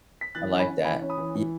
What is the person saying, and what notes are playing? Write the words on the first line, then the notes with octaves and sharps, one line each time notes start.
I like that, yeah.
B6
E3 F#6 A6
C#4
G#5 B5
C#4
E3 G#5 B5
C#4
B5 D#6
E3
E3